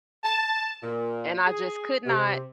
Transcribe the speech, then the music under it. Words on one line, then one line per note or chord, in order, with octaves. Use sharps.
And I just could not
A5
A#2
G#4
C3